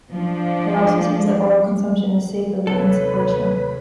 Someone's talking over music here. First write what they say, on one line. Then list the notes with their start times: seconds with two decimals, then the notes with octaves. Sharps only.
It also seems that oral consumption is safer than insufflation.
0.11 F3 D4
2.67 D#2 C3 A4 B4 C#5 B5